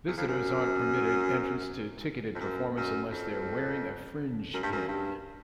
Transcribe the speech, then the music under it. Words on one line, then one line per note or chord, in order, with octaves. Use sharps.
Visitors aren't permitted entrance to ticketed performance unless their wearing a Fringe Pin.
E2
F2
F#2
F2
F#2
F#2
F2
F#2
G2
F#2
G2